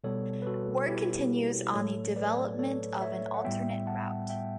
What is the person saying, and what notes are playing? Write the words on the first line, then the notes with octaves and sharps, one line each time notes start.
Work continues on the development of an alternate route.
B2 G3 B3 A4 C#5
B4
F#4 A4
E4 G4
A2 F#3 A3 A4 C#5
B4 D5
A4 C#5
C#5 E5
F#5
A2 G3 B3 E5 G5
F#5 A5
E5 G5